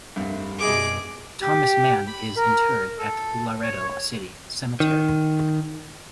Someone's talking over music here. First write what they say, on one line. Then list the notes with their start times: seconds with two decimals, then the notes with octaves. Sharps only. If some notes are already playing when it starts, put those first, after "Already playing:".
Thomas Mann is interred at Laredo City Cemetery.
0.16 F1 C2 G2
0.60 F#2 B2 G3 G#4 D#5 D6
1.42 G4
2.07 B5
2.37 A#4
2.98 A4
3.62 C#5
4.80 D#3